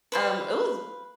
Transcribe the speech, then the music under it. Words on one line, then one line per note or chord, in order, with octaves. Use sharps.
Um, it was
B4 C5 F5